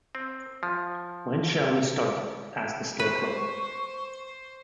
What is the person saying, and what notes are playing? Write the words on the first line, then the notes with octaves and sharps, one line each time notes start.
When shall we start? asked the Scarecrow.
C4
F3
B4 C5 C#6